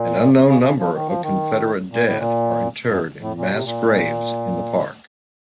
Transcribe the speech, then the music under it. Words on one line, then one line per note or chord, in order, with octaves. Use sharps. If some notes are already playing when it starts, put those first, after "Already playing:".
An unknown number of Confederate dead are interred in mass graves in the park.
Already playing: A#2
C#3
C#3
F3
D#3
F3
D#3
A#2
A2
A#2
F#2
A2
A#2
C3
A#2